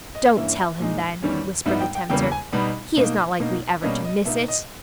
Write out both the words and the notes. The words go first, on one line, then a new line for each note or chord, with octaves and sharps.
"Don't tell him, then," whispered the tempter, "he is not likely ever to miss it."
D#5
G2 E3 A#3 C#4 E5
A#2 G#3 D#4
E2 D#3 G3 C#4
G#2 G3 B3 D#4 E5
G5
G5
E2 C#3 G3 A#3 G5
G#5
B2 G3 B3 D#4 B5
B2 A#3 D#4
B2 A#3 D#4
B2 G3 A#3 C#4 D#5
D#5
B2 A#3 D#4 E5
D#5